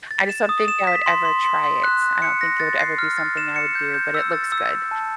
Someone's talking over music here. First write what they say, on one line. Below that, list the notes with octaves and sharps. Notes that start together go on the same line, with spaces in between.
I just don't think I would ever try it. I don't think it would ever be something I would do, but it looks good,
A6
E7
D#6
E7
B6
C6
C6
C6
C6
F#6
F#6
C#7
A#6
A6
C7
F6
A6
E7
C#7
G6
G6
E6
A6
E6
E6
A5